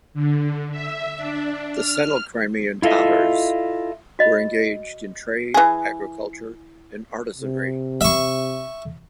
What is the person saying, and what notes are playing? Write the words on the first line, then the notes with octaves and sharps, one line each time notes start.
The settled Crimean Tatars were engaged in trade, agriculture, and artisanry.
D3
E5
D4
F6
E4 F4 A4 D#5 E5
F#4 D#5 B5
E3 G#4
C3
E5 C#6